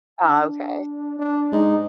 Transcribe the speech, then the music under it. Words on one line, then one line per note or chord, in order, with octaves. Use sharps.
Oh, 'kay.
D4
D4
G#2 D#4